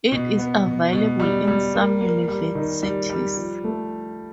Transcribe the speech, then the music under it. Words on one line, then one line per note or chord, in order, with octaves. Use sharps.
It is available in some universities.
B2
B3
B2
B2
G3
G3
A#3
A#3
G3
D#3
G3
G3
F3
A3